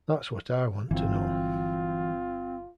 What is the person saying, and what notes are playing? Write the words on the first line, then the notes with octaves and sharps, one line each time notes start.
That's what I want to know.
G1 E3 F#3 C4 F4